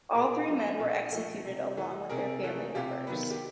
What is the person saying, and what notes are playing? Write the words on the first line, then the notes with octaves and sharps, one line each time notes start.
All three men were executed along with their family members.
A#2 G#4 A#4
F3 A3
A#2
F3 A3
C3
E3 A3
C3 G#4 A#4
E3 A3
C3 F4 G4
D#3 F#3 B3
G4